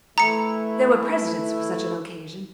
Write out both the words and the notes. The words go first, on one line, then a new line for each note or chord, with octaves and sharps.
There were precedents for such an occasion.
E3 A3 E4 A#5 C#7